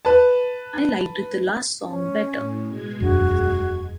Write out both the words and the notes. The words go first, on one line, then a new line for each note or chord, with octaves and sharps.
I liked the last song better.
B4 A5
C#4
A2
B2 G#3 G#6
E1 F#2 D4 F#4